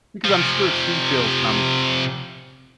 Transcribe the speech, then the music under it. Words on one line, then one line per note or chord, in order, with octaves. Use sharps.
Because I'm sure she feels some
C3 F3